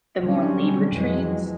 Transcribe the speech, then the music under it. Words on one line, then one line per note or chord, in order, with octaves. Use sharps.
the more labor trades,
D3 F#3 G3 C4 C#4
F2 E3 F#3 G#3